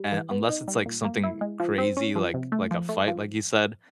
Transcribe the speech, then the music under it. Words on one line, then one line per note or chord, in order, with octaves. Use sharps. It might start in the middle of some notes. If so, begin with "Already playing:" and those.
uh, unless it's like something crazy like like a fight, like you said,
Already playing: G3
E3
B3
D#4
G3
A#2
A#3
E4
G#3
F3
C4
C#4
F3
C3
A3
F3
A3
F3